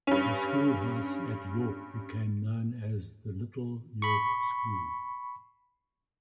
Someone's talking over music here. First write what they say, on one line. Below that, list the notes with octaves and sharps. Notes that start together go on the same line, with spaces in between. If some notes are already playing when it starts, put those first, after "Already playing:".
The schoolhouse at York became known as the Little York School.
G2 C#4
B5 C#6